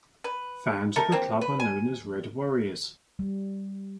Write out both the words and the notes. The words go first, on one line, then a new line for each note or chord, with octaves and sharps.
Fans of the club are known as Red Warriors.
B4
A3 D#4 A4 A#4
A#3 C4
B4
G#5
G3